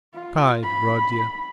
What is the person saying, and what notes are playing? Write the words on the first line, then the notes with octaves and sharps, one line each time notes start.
"Pride, Rodya."
F4
B5